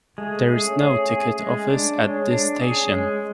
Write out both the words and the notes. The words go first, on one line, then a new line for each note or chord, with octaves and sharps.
There is no ticket office at this station.
G#3 A3
G#4
C#4
G#4
G#4
G#3
D4
G#3 C#4
D4
G#4
C#4
G#3